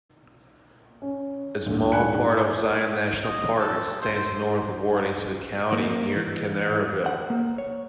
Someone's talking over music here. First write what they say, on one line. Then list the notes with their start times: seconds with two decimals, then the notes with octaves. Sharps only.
A small part of Zion National Park extends northward into the county, near Kanarraville.
1.02 C#4
1.66 D2 G2 A#2
1.92 G#2 F#5 G#5 B5 F#6 C#7
3.24 D#5
3.59 A4
4.02 C5
5.73 A#3
6.16 E3
7.06 F#5
7.30 A#3
7.58 C#5